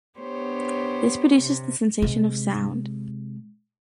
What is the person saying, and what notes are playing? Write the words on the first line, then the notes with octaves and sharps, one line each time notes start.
This produces the sensation of sound.
B3 D4 G4 C5 C#5
C3
C3 G#3